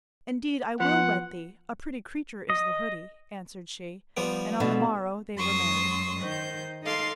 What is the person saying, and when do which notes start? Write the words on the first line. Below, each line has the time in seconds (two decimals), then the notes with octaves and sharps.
'Indeed I will wed thee; a pretty creature is the hoodie,' answered she, and on the morrow they were married.
0.80 F3 B3 F#5
2.50 D#5
4.17 F3 G3 B3
4.60 B2 D3
5.37 F#2 C6 C#6 D#6 E6
6.21 D#3 C5 G6
6.83 D#4 A4 F5 C6 D6